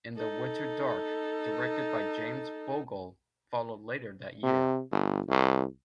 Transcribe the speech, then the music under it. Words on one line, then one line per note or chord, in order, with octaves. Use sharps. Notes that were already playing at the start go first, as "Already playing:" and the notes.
"In the Winter Dark", directed by James Bogle, followed later that year.
D#4 A4
C3
G1
C2